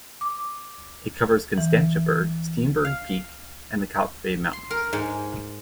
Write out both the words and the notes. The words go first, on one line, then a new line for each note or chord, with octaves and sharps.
It covers Constantiaberg, Steenberg Peak and the Kalk Bay mountains.
D6
E3
F5
C6
A#4
G#2